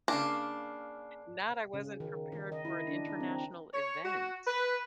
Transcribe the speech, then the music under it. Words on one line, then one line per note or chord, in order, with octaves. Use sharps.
Not, "I wasn't prepared for an international event."
C#3 A#3 D4
C#3
D#3
D#3
D#5
E4
D4
D#4
C4
C#5
F#4
B4